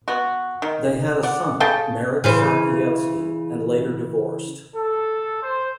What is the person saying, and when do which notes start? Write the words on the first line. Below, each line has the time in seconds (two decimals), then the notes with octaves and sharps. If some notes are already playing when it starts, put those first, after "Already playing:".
They had a son, Marek Sapieyevski, and later divorced.
0.08 B3 F#4
0.62 D#3
1.23 D5 F#5
1.60 C#3 A4 G5 A5
2.24 C#3 E3 C5
4.75 A4
5.42 C5